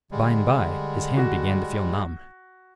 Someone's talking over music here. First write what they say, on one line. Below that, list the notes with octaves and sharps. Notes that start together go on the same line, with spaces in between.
By-and-by, his hand began to feel numb.
D3 G3 G#3
F#4